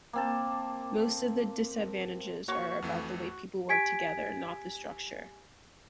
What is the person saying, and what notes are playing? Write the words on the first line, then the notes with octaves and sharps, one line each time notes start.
Most of the disadvantages are about the way people work together, not the structure.
A#3 C4 A5
A#3 F#4 C#5 C#6
F2 E3 A3
G4 G#5 G#6 B6 D7